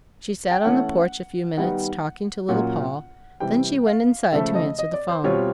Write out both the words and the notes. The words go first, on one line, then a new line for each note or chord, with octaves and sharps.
She sat on the porch a few minutes talking to Little Poll, then she went inside to answer the phone.
G5
E3 A3 C#4 F#5
D#3 G3 B3 D#4 F#5
A#2 F#3 A#3 C#4 F4 F#5
C3 E3 G3 G5
F5
C#3 F3 A3 E5
D#5
D#5
D5
C5
B2 G3 C4 F4 C#5